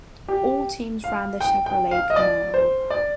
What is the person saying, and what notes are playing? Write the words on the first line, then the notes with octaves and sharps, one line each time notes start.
All teams ran the Chevrolet Camaro.
G4
F5
G5
G5
F5
D#5
D5
C5
D5